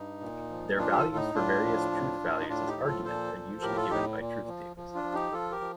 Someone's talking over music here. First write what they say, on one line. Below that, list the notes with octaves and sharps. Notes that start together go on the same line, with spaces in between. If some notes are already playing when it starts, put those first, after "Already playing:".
Their values for various truth-values as argument are usually given by truth tables.
Already playing: G2 D#4
A#2
F3
F3 D4 F4
G4
F4 A4
A2
D#4
A2 D4 F4
F3
A2
A2
D#4
A2 D4 F4
D#4 G4
F3
F4 A4
A#2 A4 C5
F3
A2 G4 A#4
F4 A4
A2 D#4 G4
A#2
F3
F3
D4 F4
F3
D#4 G4
F3 F4 A4
G4 A#4
F3